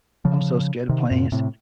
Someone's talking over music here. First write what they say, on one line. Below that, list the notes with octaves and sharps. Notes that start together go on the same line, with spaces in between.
I'm so scared of planes.
C#3 F3
C3 D#3
F#2 A#2
A2 C3